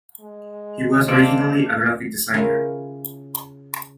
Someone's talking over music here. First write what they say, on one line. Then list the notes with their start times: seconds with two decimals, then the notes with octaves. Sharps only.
He was originally a graphic designer.
0.20 G#3
1.08 A#3 C4 A4 D5 F5 A5 D6
2.34 C#3 C#4 E4 F4 A#4